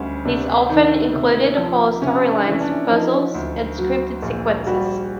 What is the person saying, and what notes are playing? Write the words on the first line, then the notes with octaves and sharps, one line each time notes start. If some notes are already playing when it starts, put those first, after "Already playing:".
These often included whole story-lines, puzzles, and scripted sequences.
Already playing: D2 G3 C#4
C3 D4
D#3
C3
F3
C3 C#4
D4
E3
C#4
D4
F3 D#4
D2
F#3
A#1
G3 F#4